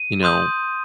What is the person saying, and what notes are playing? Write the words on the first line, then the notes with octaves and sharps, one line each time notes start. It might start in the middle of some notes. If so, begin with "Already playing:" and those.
you know
Already playing: D#7
C6 D#6 G6